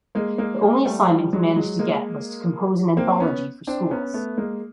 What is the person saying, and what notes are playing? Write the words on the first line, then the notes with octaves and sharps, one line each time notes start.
The only assignment he managed to get was to compose an anthology for schools.
G#3 A#3
G#3 A#3
G#3 A#3
G3 A3
F3 G3
F#3 G#3
F#3 G#3
G#3 A#3
A#3 C4
B3 C#4
C4 D4
B3 C#4
A3 B3
G#3 A#3